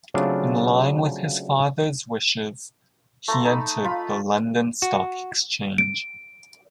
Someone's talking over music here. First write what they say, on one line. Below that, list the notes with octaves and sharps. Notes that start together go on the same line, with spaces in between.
In line with his father's wishes, he entered the London Stock Exchange.
C#3 F#3 A3 C4 D4 F4
A3 A#5 C6
D#4 B5
F4 B5
F#4
D7